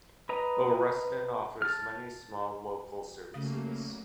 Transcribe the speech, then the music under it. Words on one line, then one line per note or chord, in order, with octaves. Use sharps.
Oreston offers many small, local services.
B4 D#5 A#5
A5 F6
C#3 F#3 G3 A3 A#3 C#4